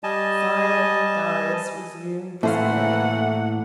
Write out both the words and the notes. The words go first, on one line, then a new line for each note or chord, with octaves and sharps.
Silent, Darius resumed the spade.
G3 D#5 G#5 A5
A2 E3 A3 A#3 C5 F5 F#5